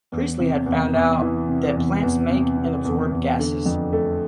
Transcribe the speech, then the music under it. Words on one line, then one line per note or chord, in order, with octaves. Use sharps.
Priestley had found out that plants make and absorb gases.
E2
C3
E2
E2
E3
C3
E2
E2
C3
C3
E2
E2
D3
F2
A3